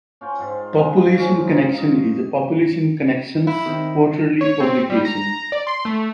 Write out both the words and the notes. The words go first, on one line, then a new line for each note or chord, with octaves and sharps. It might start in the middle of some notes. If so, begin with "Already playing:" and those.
"Population Connection" is Population Connection's quarterly publication.
C#4 F4 G5
G#2 F4 C6
F3 G#3
F3 C#4
D#4
D#5
E4
D#3 C4 D#4
C#5
C4
G3
A#5
D5
C6
A3